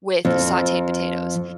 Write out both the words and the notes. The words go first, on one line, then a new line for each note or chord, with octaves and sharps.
with sauteed potatoes,
F2